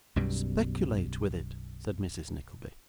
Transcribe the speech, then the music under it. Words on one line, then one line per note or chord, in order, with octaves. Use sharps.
'Speculate with it,' said Mrs Nickleby.
B1 F#2 B2 G3